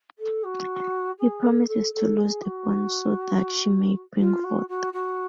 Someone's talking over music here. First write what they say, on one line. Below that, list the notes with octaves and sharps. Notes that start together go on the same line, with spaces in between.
He promises to loose the bond so that she may bring forth.
A4
F#4
G#4
A4
A4
A4
G#4
F#4
F4
F#4
F#4
F#4